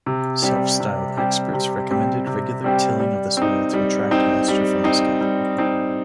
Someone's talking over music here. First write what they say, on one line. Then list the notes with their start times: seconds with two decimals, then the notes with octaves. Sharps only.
Self-styled experts recommended regular tilling of the soil to "attract" moisture from the sky.
0.06 C3
0.42 G3 C4 G4
0.80 C3
1.17 G3 C4 G4
1.53 C3
1.90 G3 C4 G4
2.27 C3
2.64 G3 C4 G4
3.00 G3
3.37 C4 D#4
3.73 G3
4.11 C4 D#4
4.48 G3
4.84 C4 D#4
5.21 G3
5.58 C4 D#4